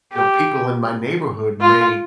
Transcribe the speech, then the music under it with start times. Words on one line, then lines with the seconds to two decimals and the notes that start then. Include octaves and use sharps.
you know, people in my neighborhood may
0.13 G4
1.61 F4